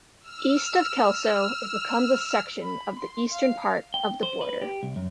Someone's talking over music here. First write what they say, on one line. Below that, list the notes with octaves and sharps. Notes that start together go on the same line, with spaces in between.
East of Kelso, it becomes a section of the eastern part of the border.
E6 F6
B5
C6
F5
G5
C5
B4
G4
C2
F#2